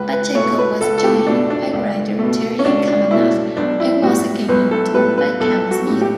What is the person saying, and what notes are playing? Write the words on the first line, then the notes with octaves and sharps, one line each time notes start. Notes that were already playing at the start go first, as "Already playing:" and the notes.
Pacheco was joined by writer Terry Kavanagh and was again inked by Cam Smith.
Already playing: C#2 B4
B4
B2 A3 C#5
B4
C#2 A4
A4
G4
B2 A3 D4
D4
C#2
B2 A3
C#4
C#2 D4
D4
B2 A3 E4
B1 D4
E4
A2 G3 F#4
B1 B4
A4
A2 G3 B4
B4
B1 A4
F#4
A2 G3
G4